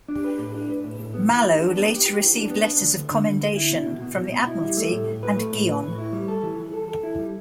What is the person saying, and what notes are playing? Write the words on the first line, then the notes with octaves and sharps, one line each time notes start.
"Mallow" later received letters of commendation from the Admiralty and Guyon.
D4
B4
A2
D4
B4
A2
A2
B3
E3
G4
D4
B3
G4
G4
E3
D4
B3
D4
D2
D2
D3
D2
D2
E4
B2
B2
B2
B2
B2
E4
G3
A3
A2
A2
B4
A3
A2
B4
A2
E4
G3
A4
E3
E3
A4
A4
E4
G3